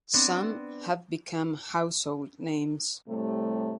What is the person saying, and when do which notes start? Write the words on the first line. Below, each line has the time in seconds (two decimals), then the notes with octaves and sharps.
Some have become household names.
0.14 B3 C4 D4
3.08 A2 C3 G3 A3